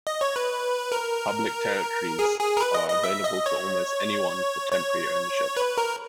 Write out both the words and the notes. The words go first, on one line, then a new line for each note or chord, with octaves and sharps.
Public territories are "available to almost anyone for temporary ownership".
D#5
C#5
B4
A#4
G#4
G#4
A#4
B4
D#5
D#5
E5
D#5
C#5
C#5
B4
A#4